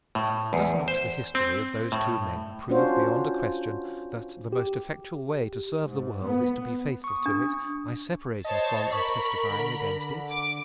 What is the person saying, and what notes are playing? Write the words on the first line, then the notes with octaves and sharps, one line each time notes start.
Does not the history of those two men prove beyond a question that the most effectual way to serve the world is to be faithful to it, by separating from and testifying against it?
A2
E2
C5
C4
A2
C#4 D4 F4 F#4 C5
G4
G#2
B3
C#6 D#6
D4
C5 C#5 D#5 A5
A#4 B5 C#6
D3
D6